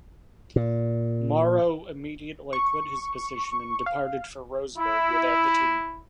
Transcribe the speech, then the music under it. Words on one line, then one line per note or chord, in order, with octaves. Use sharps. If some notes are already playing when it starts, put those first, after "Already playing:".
Morrow immediately quit his position and departed for Roseburg without the team.
A#2
C#6
F5
E4